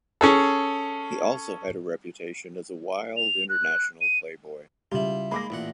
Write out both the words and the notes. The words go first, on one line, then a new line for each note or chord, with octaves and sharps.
He also had a reputation as a wild international playboy.
C#4 G#4 A4
F7
F#6
D#7
C#3 G3 E4 F4
G#3 A#3 B5 D6 A#6
A1 A#2 E3 F#5